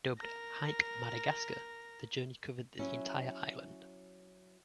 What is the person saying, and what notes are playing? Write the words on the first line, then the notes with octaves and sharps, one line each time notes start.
Dubbed "Hike Madagascar", the journey covered the entire island.
A#4 A#6
F#3 C#4 E4